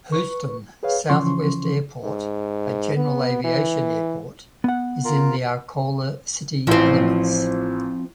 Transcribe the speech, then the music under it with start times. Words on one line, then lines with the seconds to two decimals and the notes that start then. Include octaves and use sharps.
Houston Southwest Airport, a general aviation airport, is in the Arcola city limits.
0.12 B4 C#6
0.83 G#4 B4 C#5 F5
1.10 C#3 E3 F3 C#4 C6 C#6
2.04 G#2
2.96 B3
3.44 E3
4.64 B3 F#5
5.05 F4 A#4
6.67 A1 E3 F3 C4